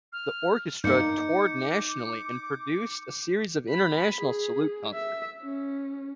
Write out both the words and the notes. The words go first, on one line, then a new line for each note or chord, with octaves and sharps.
The orchestra toured nationally and produced a series of international salute concerts.
F6
G2 A#3 D#4 D6 G6 C#7
B5
G#4
E5
C#4